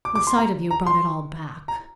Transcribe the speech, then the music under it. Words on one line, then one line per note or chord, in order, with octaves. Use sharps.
The sight of you brought it all back.
D6
D6
C6
A#5
A#5
C6
A#5